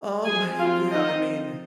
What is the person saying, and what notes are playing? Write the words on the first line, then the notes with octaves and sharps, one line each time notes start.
Um, yeah. I mean,
F3 C4 G#4 G#5
F4 F5
D#4 D#5